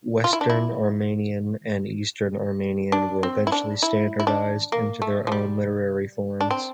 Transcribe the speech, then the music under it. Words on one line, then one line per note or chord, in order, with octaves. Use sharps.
Western Armenian and Eastern Armenian were eventually standardized into their own literary forms.
F4
E4
D4
E4
D4
C4
E4
D4
E4
E4
D4
A#3
A3
F3
G3
D4
C4